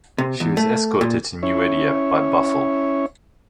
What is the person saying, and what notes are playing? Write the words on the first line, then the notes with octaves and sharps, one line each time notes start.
She was escorted to Nieuwediep by "Buffel".
C3
E2
A3
A#2
C#4 E4 C#5